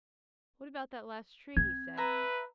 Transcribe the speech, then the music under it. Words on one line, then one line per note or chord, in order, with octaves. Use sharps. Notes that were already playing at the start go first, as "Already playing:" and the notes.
"What about that last tree?" he said.
C4 G#6
B4 E5 A#5